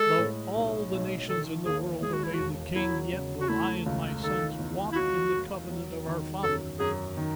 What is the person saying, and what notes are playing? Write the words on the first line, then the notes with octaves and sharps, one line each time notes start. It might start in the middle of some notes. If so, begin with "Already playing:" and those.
'Though all the nations in the world obey the king, yet will I and my sons walk in the covenant of our fathers.
Already playing: G#3 A4
A2
B1
B1
D#3 A4
D#2 G#4
G#3 G#4
F#4
E4
F#4
E1
F#3 E4
C#3
F#4
A3 E4
C#2
D#3 A4
E2
E4
F#3 F#4
E1
F#3
D#3
F#2 A4
F#2 G#4
D#3